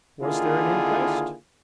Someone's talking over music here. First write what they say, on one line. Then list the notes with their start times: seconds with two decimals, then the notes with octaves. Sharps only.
"Was there an inquest?"
0.22 D3 D#3 A#3 E4 F4 G#4